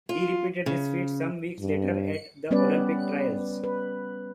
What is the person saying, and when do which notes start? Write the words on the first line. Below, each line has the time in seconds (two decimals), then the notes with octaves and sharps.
He repeated this feat some weeks later at the Olympic Trials.
0.09 F4
0.66 C#3
1.60 G2
2.51 G3 B3 C#4 B4 D5
3.64 B4